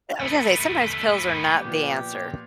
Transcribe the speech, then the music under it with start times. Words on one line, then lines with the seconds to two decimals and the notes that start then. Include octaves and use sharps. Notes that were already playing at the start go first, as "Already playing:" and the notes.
I was gonna say, sometimes pills are not the answer.
0.20 A3 B3
1.60 A#2 F3 B3 G4